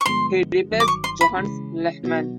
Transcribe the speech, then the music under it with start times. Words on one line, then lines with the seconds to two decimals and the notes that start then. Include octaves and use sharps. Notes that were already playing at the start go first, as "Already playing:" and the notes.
He replaced Johannes Lehman.
0.01 C#6
0.06 G2 D3 F3 G#3 B3 C6
0.71 G1 G2 D#3 F#3
0.80 D6
0.88 C#6
1.04 C6
1.21 B5
1.36 C#3 E3 G#3 C#4
2.03 B2 F#3 B3 D#4 F#4